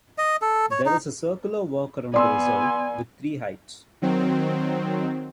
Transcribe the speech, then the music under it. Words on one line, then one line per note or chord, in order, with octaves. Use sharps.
There is a circular walk around the reserve, with three hides.
D#5
A4
C#5
D#4
B3 D5 G#5 C6 E6
D#3 F#3 C4